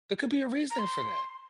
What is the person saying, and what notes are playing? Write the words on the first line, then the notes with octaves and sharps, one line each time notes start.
there could be a reason for that.
A#5
C6